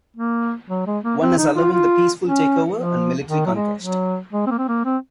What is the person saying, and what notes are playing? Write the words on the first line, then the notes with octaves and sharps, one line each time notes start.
One is allowing the peaceful takeover, and military conquest.
A#3
F#3
G#3
A#3
C4
D#4
F4
F4
C#4
F3
D#3
F#3
G#3
F#3
G#3
C4
A#3
C4
A#3
C4